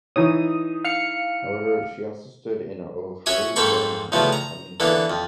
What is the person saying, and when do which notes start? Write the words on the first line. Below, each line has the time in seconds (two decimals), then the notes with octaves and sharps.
However, she also stood in Ohariu-Belmont, coming fifth.
0.16 E3 D#4 C#5 D#6
0.84 F5 F6 C#7
3.26 C#4 F#4 C#5 E5 D#6
3.56 G#2 A#3 C4 A4 B5 C#6
4.12 D2 A2 C#3 F3 B3
4.32 A#5
4.80 D3 E3 A#3 B3
5.10 F2